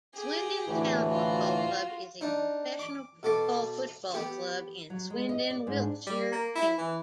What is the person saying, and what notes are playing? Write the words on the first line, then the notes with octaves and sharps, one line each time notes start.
Swindon Town Football Club is a professional football football club in Swindon, Wiltshire, England.
G4 G#4
D2 A2 E3
F4 F#4
D4 D#4
D6
B2 A4 D6
B3 G4
F#3
G#3
D#5
D5
G#2
D4
G3
A#3
E4
E3